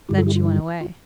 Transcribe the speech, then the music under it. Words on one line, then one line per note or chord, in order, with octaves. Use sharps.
Then she went away.
G2 D3 G3 E4 G4
F4 A4
E4 G4
F4
E4
F4